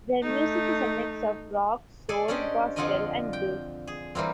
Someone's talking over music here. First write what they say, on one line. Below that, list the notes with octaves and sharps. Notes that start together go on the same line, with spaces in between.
Their music is a mix of rock, soul, gospel and blues.
A3 D#4
G#4 A4 D5 G#5
C#4 D4 G4 C5 D5 D#5
F2 D3 F4 D5 D#5 G#5
G5
G#4
E3 G3 A#3 C4